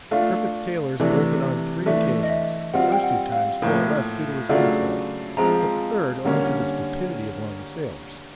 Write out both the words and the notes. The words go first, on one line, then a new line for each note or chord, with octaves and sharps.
Griffith Taylor's bolted on three occasions, the first two times more or less due to his own fault, but the third owing to the stupidity of one of the sailors.
A3 D4 F4 F5
C3 E3 A3 D4
E3 A3 D4 E5
D#5
E5
G3 C4 F4 F#5
G5
F#5
F5
A2 F3 A#3
C#3 F#3 A3 D4 F4
F3 G#3 C4 F4 A#5
D3 G3 A#3 C#4